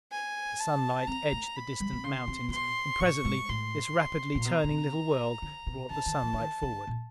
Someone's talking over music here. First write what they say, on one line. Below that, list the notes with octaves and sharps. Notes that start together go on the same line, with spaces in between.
The sunlight edged the distant mountains; and presently this rapidly turning little world brought the sunlight forward.
G#5
A5
C4 A#5
A3
B5
G3
C3
C#3 C6
C3
C3
B2 C6
A2 C#6
G#2
A2 C6
A#2
B2 A#5
B2
C3
D3
B2
C#3 A5
D#3
E3
D3
D#3
D3
A#2